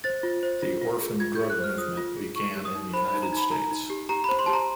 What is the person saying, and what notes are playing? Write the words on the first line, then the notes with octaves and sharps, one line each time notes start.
The orphan drug movement began in the United States.
C5 A6
F4
C5
F4
F4
G#4
F4 G#6
G6
G#4
F#6
C5 F6
F4 D#6
F4
G#4
D#4 C#6
G4
D#6
D#4
C5 B5
B5
D#4
A#5
D#4 B5
D#4 A#5
D#4
G4
G4 A#5
B5
C5
C6
G4 A5
A#5